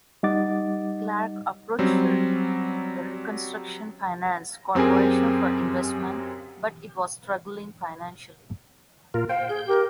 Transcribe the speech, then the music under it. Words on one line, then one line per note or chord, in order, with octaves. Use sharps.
Clark approached the Reconstruction Finance Corporation for investment, but it was struggling financially.
G3 D#4 D#5 F#5 D6 A6
F#3 G3 C4 C#4
F#2 C4 G4 G#4 A#4 G#5
A#2 F4 A#4
C5 F5 G5
G#4 G6
G4 A#4